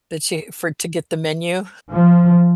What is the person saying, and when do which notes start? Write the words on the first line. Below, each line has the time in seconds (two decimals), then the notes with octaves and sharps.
that you for to get the menu
1.91 F3